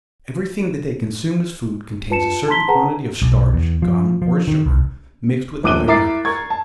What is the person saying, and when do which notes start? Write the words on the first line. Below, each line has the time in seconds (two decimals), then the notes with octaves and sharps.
Everything that they consume as food contains a certain quantity of starch, gum, or sugar, mixed with other matters.
2.10 F4 B4 A5 C#7 E7
2.48 A5 A#5 C6 B6 G7
2.68 G#4 B4 F#5 A5 A#5
3.22 B1
3.54 E2
3.82 F3
4.22 F3
4.48 D#3
4.66 C2
5.63 D#1 A#1 D6 F#6 D#7 G7
5.87 E4 A#4 E5 D6 A6 C7
6.25 A#4 C#6 G#6
6.50 A5